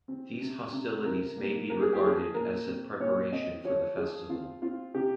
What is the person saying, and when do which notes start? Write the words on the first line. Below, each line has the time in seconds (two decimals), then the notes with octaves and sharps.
These hostilities may be regarded as a preparation for the festival.
0.08 C4
0.41 C3
0.72 C3
1.05 C3 A#4
1.38 A#3
1.70 A#3 A#4
1.81 G#4
1.93 G4
2.03 F3 G#4
2.34 A#2 A#4
2.67 C4
3.00 A#2 C#5
3.32 C4 D#5
3.65 F3 C#5
3.97 F3 G#4
4.29 C4 F4
4.62 C4 F4
4.94 C3 G4